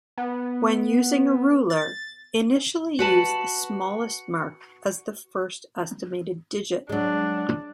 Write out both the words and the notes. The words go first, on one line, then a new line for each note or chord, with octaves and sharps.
When using a ruler, initially use the smallest mark as the first estimated digit.
B3
A6
F#4 B4 A5
F#3 G#3 D4